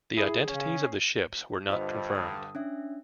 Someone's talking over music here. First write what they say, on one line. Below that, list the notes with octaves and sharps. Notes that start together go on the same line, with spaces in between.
The identities of the ships were not confirmed.
E4 G#4
C#3 C#4
G2 D3 F4 C5 D#5
D#6
C#4 D4 E5